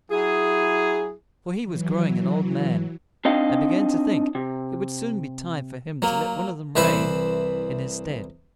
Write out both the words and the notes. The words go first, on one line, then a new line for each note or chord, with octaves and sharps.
For he was growing an old man, and began to think it would soon be time for him to let one of them reign in his stead.
F#3 E4 G#4
E3 F#3
C4 D4 D#4 D#5 F5 G5
C3
F#3 A#3
C2 E3 B4 C5 E5 B5